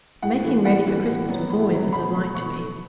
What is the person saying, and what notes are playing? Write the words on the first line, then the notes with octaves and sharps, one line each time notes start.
The making ready for Christmas was always a delight to me.
A2 F#5
E3 A3
A2 F#5
E3 A3
A2
F#3 B3
A2
F#3 B3
B2 B5
A3 B5
B2 C#6
A3